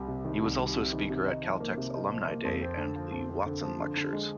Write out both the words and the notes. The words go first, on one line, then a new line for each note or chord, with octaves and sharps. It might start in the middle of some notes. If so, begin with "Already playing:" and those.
He was also a speaker at Caltech's Alumni Day and the Watson Lectures.
Already playing: C2 G3
C3
D#3
C2
G3
C3
D#3
C3
D#4
F3
A#3
C3
D#4
F3
A#3
F2
C4
D3
F3
F2
C4
D3
F3
D3
D3
G#3